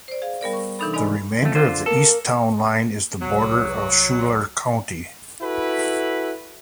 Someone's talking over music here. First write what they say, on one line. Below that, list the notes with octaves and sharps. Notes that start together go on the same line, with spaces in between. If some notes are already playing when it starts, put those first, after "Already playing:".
The remainder of the east town line is the border of Schuyler County.
C5 D5
G#4 F5
G3 B3 A#4 D5
C#6
C3 E3 D4 D#4 A4 B5
G#2 D#4 D5 D#5 G#5 B5
F2 A3
D3 F4 C5
A#3 A4
C2 F#3
E4 F#4 A4 B4 B5